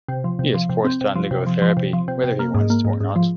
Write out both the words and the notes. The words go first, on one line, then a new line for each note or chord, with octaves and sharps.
He is forced to undergo therapy whether he wants to or not.
C3
F3
C3
F3
C3
C4
C3
F3
C3
F3
F3
C3
F3
C3
C3
A#3
G#2
A#3
G#2
G#2
F3